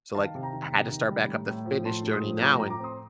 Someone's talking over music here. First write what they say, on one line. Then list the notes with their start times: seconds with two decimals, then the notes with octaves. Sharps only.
so like I had to start back up the fitness journey now and
0.15 D#3 F5 A5
0.35 C3
0.43 G5 A#5
0.53 D#3
0.72 C3
0.91 D#3
1.10 G3
1.28 A2
1.48 A2
1.66 F3
1.85 A2 A5 C6
2.04 A2
2.13 C6 D#6
2.23 F3
2.41 A2 A#5 D6
2.55 G5 A#5
2.61 A2
2.69 A#5 D6
2.80 C4 C6 D#6